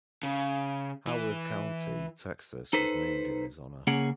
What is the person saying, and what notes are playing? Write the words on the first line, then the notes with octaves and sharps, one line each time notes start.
Howard County, Texas was named in his honor.
C#3
E3
D#4 A4 B4 C5
C#3 A#3 C#4 G#4 C#5 F#5